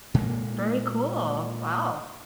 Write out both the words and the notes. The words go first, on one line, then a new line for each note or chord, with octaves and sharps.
Very cool, wow.
A#2 G#3 A#3